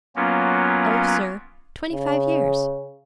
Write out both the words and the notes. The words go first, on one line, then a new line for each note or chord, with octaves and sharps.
"Oh, sir, twenty-five years."
F#3 A#3 B3 C#4 F4
C#3